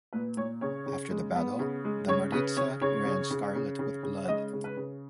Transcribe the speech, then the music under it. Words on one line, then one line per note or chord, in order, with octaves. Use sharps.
After the battle, the Maritsa ran scarlet with blood.
A#2 B4
A#2 C#5
C#3 C#5
C#3
G#3
B3
C#3
G#3
C#3 C#5
C#3 B4
C#3 C#5
C#3 C#5
C#3
C#3
C#3
C#3
C#3
G#3 D#5
C#3
B4
C#3